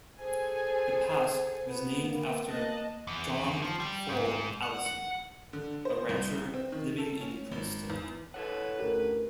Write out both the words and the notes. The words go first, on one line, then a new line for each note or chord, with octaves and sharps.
The pass was named after John Fall Allison, a rancher living in Princeton.
G#4 A4 C5 G#5
B3
A#3
A#3 D#5 A5 F#6
E2
F3
G3
G#2
F#5
F#5
D3
C5
C2
C4
D#3
A4
C#4
G#1
E2
E4 A4 B4 C#5 F#5
D2 C#4 G4 A#4